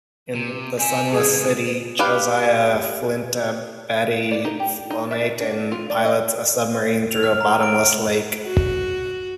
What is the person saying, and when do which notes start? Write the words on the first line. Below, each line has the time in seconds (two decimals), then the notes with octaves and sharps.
In "The Sunless City", Josiah Flintabbatey Flonatin pilots a submarine through a bottomless lake.
0.35 C3
0.79 C4 E5 G#5
1.12 C#2 A2 G#4
1.99 G4 B4 F5
4.31 D5
4.45 D#4
4.60 G4
4.90 D#4
5.11 E5
5.40 D4
5.72 F4
5.90 D5
6.05 D#5
7.11 F7
7.23 F6
7.41 A#5
7.63 D7
8.44 F#4